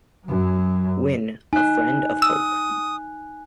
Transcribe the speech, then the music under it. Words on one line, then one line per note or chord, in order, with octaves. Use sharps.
Wynne, a friend of Hoke.
F#2 F#3
D#4 G#5 F#6
D#6 E6